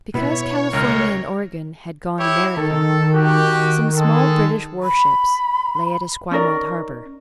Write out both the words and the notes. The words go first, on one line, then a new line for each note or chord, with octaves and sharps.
Because California and Oregon had gone American, some small British warships lay at Esquimalt harbour.
B2 B3 E4 C#5
C#2 A#4 F6
E4 G4 C#5
D#3 A4
F#4 G4
G#3 G#4 A4
B5
C#4 D#4 A#4 D5